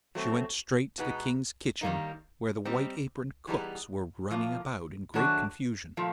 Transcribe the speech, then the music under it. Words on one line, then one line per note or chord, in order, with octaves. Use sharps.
She went straight to the King's kitchen, where the white-aproned cooks were running about in great confusion.
F#3 A3 C4
B2 G#3 B3 D#4
D#3 G3 A#3 D#4
G3 C4 D#4
E3 G3 B3 D#4 G#4
A2 F3 A#3
D#3 F#3 A3 D4 F#4
A#2 F3 A3